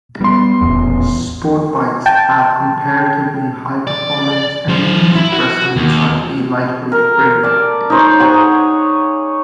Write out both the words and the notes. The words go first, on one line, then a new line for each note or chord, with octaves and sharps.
Sport bikes have comparatively high performance engines resting inside a lightweight frame.
G3 B3 C6
D#1 A1 E2
G5 A5
D5
F#3 C5
E4
F#4
D#2
A#4
D5 A5
D#4 C5 C#5
G#4 C#5 F#5 A#5